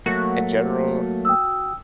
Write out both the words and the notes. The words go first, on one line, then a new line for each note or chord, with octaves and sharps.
in general."
F#3 A3 A#3 F#4
G5 D#6 E6